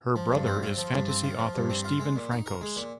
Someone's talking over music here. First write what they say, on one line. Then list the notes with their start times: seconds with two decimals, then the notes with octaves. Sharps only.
Her brother is fantasy author Steven Frankos.
0.16 F3
0.32 G2
0.46 C4
0.63 F4
0.77 F3
0.93 G2
1.08 C4
1.23 F4
1.39 F3
1.55 G2
1.69 C4
1.84 F4
2.00 G#3
2.16 A#2
2.31 D#4
2.46 A#4
2.61 G#3
2.76 A#2